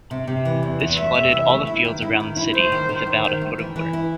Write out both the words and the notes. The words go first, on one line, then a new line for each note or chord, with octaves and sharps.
This flooded all the fields around the city with about a foot of water.
C3
C3
E3
E2
E2
A3 E5
C3
E3
A3
E4
D#3
E4
D#3
E4
A3 C5
D#3
D#3
D#3
D#3
A3
E3
E3
E4